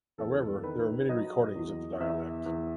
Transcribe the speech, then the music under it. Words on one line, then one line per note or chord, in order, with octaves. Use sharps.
However there are many recordings of the dialect.
E2 A4
D#3 B4
F#3 D#5
E2
E2 E5
E2